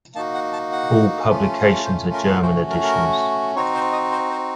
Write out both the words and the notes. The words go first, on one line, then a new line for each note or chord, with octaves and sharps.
All publications are German editions.
A#3 D#4 F#4 A5
F#5
A5
F#5
A3 C#4 F4
C5
A#4
A3 C#4 F#4 C5
C#5
A#4
A#4
C4 D#4 F#4 C#5
C5
D#5
C5
C5